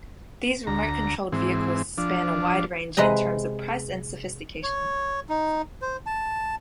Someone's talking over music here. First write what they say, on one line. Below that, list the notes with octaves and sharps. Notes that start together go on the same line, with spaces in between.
These remote controlled vehicles span a wide range in terms of price and sophistication.
D2 A#5
G#2 E3 C4
F3 D4
C3 G#3 B4 D#5 A#5
C#5
D#4
C5
A5